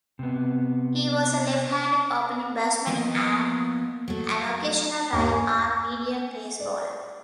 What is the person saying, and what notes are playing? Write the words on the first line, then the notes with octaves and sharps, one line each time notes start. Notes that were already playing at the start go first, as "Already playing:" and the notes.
He was a left-handed opening batsman and an occasional right-arm medium-pace bowler.
C3 B3
F3 A#3 B3 D#5
F#3 A3
D#2
G#5
D5